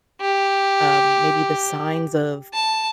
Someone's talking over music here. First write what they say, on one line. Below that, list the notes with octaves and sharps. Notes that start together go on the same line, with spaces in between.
Um, maybe the signs of
G4
A5